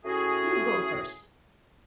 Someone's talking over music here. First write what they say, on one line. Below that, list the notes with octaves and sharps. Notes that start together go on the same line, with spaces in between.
"You go first."
A2 A3 C#4 F#4 G#4